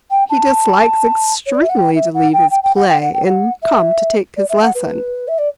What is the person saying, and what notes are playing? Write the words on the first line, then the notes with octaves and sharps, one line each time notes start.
He dislikes extremely to leave his play and come to take his lesson.
G5
A5
C#5
D5
E5
F#5
G5
E5
F#5
G5
G5
G5
F#5
G5
F#5
G5
F#5
E5
D5
E5
F#5
B4
E5
D5